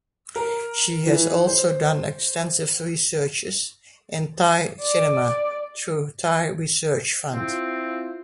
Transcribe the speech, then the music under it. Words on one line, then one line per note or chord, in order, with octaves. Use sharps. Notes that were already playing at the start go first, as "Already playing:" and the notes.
She has also done extensive researches in Thai cinema through Thai Research Fund.
A#4
E3
C5
D5
C4 E4 F4